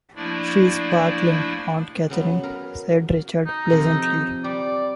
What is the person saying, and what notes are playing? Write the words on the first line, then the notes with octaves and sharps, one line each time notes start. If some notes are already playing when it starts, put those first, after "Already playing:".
"She's sparkling, Aunt Catherine," said Richard pleasantly.
F3 A3 A#3 D4 E4 D5
C#3 F#3 B3
A#4 B4
D#4
F2 C3 F3
G3 D5